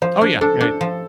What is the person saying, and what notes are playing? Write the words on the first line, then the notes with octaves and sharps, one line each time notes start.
Oh, yeah, yeah.
F3 C5
D4
D4 A4
D4
F3